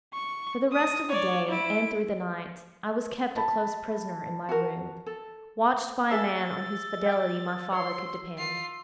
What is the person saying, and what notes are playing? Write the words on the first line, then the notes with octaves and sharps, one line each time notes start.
FOR the rest of the day, and through the night, I was kept a close prisoner in my room, watched by a man on whose fidelity my father could depend.
C#6
D#6
C#5 D5
E4 D7
A5 B5
F#4 A#4
A4
G#4 E5 A5 E6 A6
G5
C#5 C6
F4 C7